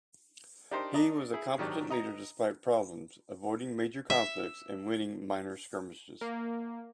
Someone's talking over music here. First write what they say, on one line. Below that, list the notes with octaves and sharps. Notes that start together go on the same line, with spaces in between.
He was a competent leader despite problems, avoiding major conflicts and winning minor skirmishes.
D4 D#4 G4 A#4 C5
D4 D#5 A#5
E4 G#4
G#2 D#3 F#3 D4 G4
D#5 A#5
E5
A#3